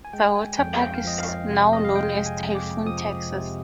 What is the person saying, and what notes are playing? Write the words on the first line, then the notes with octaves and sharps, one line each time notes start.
The water park is now known as Typhoon Texas.
G#5
G#3 G5
G#5
F2 G5
G5
F5
F3 D#5
F5
C3
D#5
F5
G#3 G5
G#5
F2
D6
F3 D#6
C3